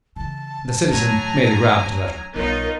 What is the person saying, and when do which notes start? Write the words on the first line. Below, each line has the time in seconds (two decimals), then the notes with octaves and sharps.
The citizen made a grab at the letter.
0.16 C#3 E3 A5
0.89 A2 D#3 F#3 G#5 A#5
2.36 B1 G3 B3 D#4 F4 A#4 C#5